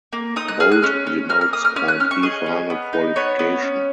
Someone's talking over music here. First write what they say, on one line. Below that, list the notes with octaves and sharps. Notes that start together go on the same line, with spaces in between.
Bold denotes Grand Prix Final qualification.
A#3
D#4 D#6
F#6
G#4 F6
F#6
C#4 F6
C#4
A#3 F6
F6
A#3 D#6
F6
C#4 F6
F#6
C#4 F6
C#6
G#4 D#5
C#4
B3
D#4
B3 C#5
B3
C#4